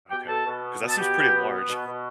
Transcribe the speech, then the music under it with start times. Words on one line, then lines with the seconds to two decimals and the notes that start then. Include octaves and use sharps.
Okay, 'cause that seems pretty large.
0.11 B2 G4 G5
0.28 B2 A4 A5
0.46 B2
0.63 B3
0.81 B2
0.88 A5
0.98 B3 G4 G5
1.16 B2
1.33 B3
1.50 B3
1.69 B2
1.86 B2